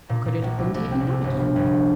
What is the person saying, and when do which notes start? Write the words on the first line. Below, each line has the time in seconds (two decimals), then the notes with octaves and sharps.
How could it have been taken out again?
0.09 A#2
0.26 A#2
0.42 A#1
0.58 C2
0.74 C2
0.91 C4
1.07 C2
1.24 G1
1.39 F3
1.56 G1